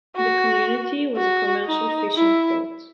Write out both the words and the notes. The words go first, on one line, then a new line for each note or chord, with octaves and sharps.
The community was a commercial fishing port.
F#4
F#4
D#4
E4